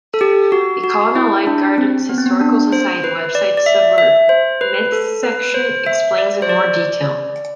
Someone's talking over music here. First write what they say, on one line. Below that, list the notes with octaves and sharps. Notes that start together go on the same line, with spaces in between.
The Colonel Light Gardens Historical Society website suburb myths section explains in more detail.
A4
G4
F#4
F#4
E4
D4
C4
B3
C4
B3
D4
C5
B4
D5
D5
E5
E5
C5
B4
A4
B4
C5
E5
D5
C5
D5